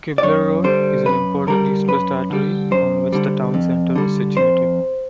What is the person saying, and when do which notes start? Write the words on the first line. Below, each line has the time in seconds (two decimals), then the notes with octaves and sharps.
Kibler Road is an important east-west artery on which the town center is situated.
0.18 D5
0.23 F#2 C#5
0.64 D3 G3 C5
1.06 F#2 B4
1.47 D3 G3 A#4
1.88 F#2 B4
2.30 D3 G3
2.71 F#2 C5
3.13 D3 G3
3.54 F2
3.96 D3 G3
4.37 F2 C5